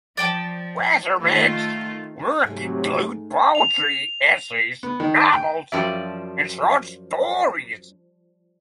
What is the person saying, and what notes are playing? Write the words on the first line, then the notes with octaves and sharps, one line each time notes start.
Wassermann's work includes poetry, essays, novels, and short stories.
F3 D5 G5 A5
D#3 A3 F4
G#2 C3 F#3 A3
F7
B3
D#3
G5
F#2 F3 G3 D5 E5